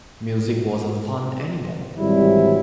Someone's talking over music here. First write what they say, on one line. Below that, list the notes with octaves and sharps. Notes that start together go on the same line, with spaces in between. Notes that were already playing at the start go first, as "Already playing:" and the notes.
Music wasn't fun any more.
G#1 C3 E3 F#3 G3 E4